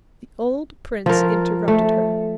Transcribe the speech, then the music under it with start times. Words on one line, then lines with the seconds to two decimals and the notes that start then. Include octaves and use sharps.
The old prince interrupted her.
1.06 F3 A#4
1.68 A3